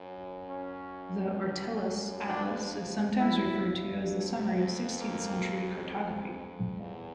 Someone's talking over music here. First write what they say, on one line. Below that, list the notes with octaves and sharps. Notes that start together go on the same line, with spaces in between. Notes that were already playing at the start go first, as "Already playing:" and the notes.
The Ortelius atlas is sometimes referred to as the summary of sixteenth-century cartography.
Already playing: F#2
C#4
F2 D4
F2 E4
A#3
E2